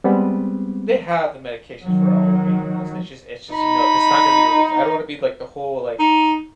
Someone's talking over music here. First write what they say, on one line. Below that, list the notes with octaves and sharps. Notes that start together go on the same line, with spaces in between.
they have the medications for all the major meds, it's just it's just, you know, it's not gonna be released, I don't wanna be, like, the whole, like,
G3 G#3 B3 C4
D#3 F#3
D#4 B5
D#4